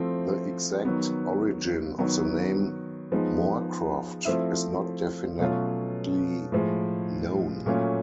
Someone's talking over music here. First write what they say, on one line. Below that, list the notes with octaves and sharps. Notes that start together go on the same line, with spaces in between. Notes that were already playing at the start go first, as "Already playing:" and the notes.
The exact origin of the name Moorcroft is not definitely known.
Already playing: F3 A3 C4 E4
D#3 F#3 B3
D#3 F#3 B3
F3 G#3 B3 D#4
F3 A3 C4 E4
B2 F#3 A3 C#4 F4
A2 F3 G#3
A#2 F#3 A3 C#4 F4